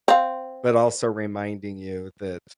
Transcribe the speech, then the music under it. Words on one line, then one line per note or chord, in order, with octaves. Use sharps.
but also reminding you that
C4 F5